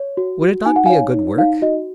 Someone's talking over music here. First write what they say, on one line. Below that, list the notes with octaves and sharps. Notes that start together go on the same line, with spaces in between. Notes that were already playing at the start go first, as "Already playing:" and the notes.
Would it not be a good work?
Already playing: C#5
F#4
F#4
D#4 G#5
F#5
C#5 F5 G#5
D#4
D#4 F5
F#4 D#5